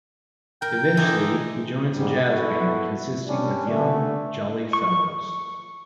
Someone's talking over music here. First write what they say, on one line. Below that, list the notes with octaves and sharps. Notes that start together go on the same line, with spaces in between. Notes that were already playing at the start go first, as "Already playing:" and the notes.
Eventually he joins a jazz band consisting of young "jolly fellows".
A#4 G5
D3 E3 D#4
G#2 G3
B3 E4 F#4 A4
G3 C#4 D4
D3 A3
C#6